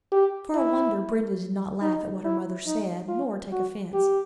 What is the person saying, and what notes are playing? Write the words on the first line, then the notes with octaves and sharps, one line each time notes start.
For a wonder Brenda did not laugh at what her mother said, nor take offence.
G4
E4
D#4
E4
D#4
F4
F#4
G4